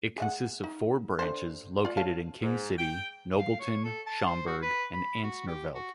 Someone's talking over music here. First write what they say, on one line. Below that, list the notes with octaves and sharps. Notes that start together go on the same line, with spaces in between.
It consists of four branches located in King City, Nobleton, Schomberg, and Ansnorveldt.
G#4 E5 F#5
D#4
D4 A4 C5
F4 D5
C#5 F5 A5
G#2
G5
F5
C#5
A4
A5
C5
F#4
B4
B5
F#4
G4
F#4